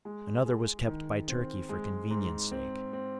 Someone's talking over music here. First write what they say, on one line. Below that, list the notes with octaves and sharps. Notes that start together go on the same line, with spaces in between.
Another was kept by Turkey for convenience sake.
G#3
G#4
D#3
C4
G#3
G#2
C4
C4